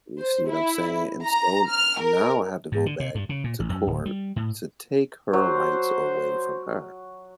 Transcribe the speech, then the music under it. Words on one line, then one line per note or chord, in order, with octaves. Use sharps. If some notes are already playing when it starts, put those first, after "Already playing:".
You see what I'm saying? And so now I have to go back to court to take her rights away from her.
C5
E4
A#5
F6
A#4
G#2
D3
C3
G2
C#3
A#2
A1
F#2
D1
G3
A2
F#3 F#4 C5